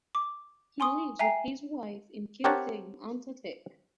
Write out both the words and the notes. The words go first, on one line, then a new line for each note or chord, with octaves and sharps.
He lives with his wife in Kirchheim unter Teck.
D6
G#5 C6 C#6 D#6
E5 G5 G#5 A#5 C7
C4 G4 A#4 C#5 F#5 A5